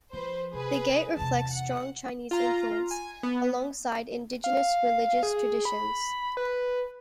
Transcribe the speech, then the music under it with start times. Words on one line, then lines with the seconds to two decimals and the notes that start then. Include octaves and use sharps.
The gate reflects strong Chinese influence, alongside indigenous religious traditions.
0.13 F3 B4 C5
0.53 C3 G#4 B4
1.17 E2 C3 A5
1.52 F#5
2.31 F4 A#5
2.91 G#5
3.23 B3
4.44 F5
5.23 G#4
5.65 B5
6.37 B4